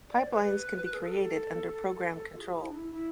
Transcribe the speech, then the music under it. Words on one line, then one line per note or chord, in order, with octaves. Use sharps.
Pipelines can be created under program control.
D5
C5
B4
G#4
A4
F4
G#4
E4
D4
E4
E4